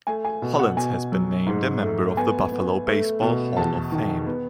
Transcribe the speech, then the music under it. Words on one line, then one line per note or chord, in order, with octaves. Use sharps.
Hollins has been named a member of the Buffalo Baseball Hall of Fame.
A3 G#5
G#5
B2
F#5
B2 G#5
F#3
G#2
A3
B3 G#5
B3
A3
B2
E2 A5
D#3
B3